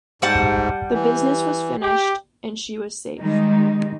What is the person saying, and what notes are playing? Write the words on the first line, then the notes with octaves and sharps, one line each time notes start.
The business was finished, and she was safe.
G#2 G3 F#5 A5
E3
G4
D#3 G3 G#3 D#4